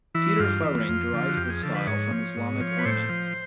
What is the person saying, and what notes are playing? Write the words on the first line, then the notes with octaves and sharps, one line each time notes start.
Peter Fuhring derives this style from Islamic ornament.
E3 E4
G2 F4
E3
F2
D3 F3
F#4
F2 G4
G#4
D3 F3 A4
B4
G#2 C#5
F3
G#2
F3
B4
A2 C5
F3